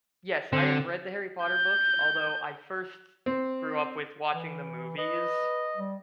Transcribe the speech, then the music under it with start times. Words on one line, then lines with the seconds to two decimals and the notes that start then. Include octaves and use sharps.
Yes, I have read the Harry Potter books, although I first grew up with watching the movies.
0.53 D3 C4
1.45 G6
3.26 C4
4.33 E3
4.98 B4 D#5
5.77 G3